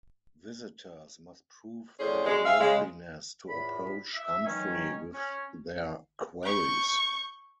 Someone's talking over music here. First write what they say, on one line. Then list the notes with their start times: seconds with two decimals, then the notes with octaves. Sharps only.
Visitors must prove their worthiness to approach Humphrey with their queries.
2.00 A2 C#4 G#4 C5 D5
2.24 F#2 G3 G#3
2.46 G#4 E5 F5
2.60 C#3 G#3
3.48 E2 A2 F4 B5
4.14 E5
4.45 D#3 E3 F#3 C#4
5.13 C#4
6.44 C#6 G6